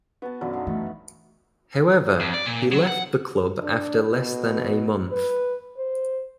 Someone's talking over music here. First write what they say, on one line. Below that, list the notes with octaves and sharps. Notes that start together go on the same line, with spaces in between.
However, he left the club after less than a month.
B3 F#4 A5
B1 F#2 D3 F#3 B4 D5
D#4 F5
E3 A3 B3
F2
D5
A#2
F#3
F#5
D4
B2
B4
C5